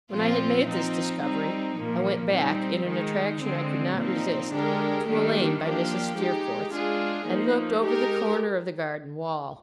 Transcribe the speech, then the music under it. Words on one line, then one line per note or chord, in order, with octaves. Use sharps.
When I had made this discovery, I went back, in an attraction I could not resist, to a lane by Mrs. Steerforth's, and looked over the corner of the garden wall.
A#2 F3 C4 F4
F3 C4 D#4
G3 C4 D#4
A#2 F3 A#3
G3 C4 D#4
D#3 G#3 D#4
D3 G#3 C4
A#2 F3 C4 D#4
D3 G#3 D4 G4 A#4
D#3 G3 A#3 D4 G4
F3 A#3 D4 G4
G#3 D#4 G4
G#3 D4 F4 G#4
F3 A#3 D#4
G#3 D#4 G4 A#4